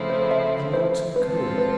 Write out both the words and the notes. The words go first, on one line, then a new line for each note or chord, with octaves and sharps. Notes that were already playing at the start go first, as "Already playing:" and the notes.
"In Lonesome Cove."
Already playing: C#3 F3 A3 C4 E4
C5
E5
C5
F3 G#3 C4 F4 A4 B4
B4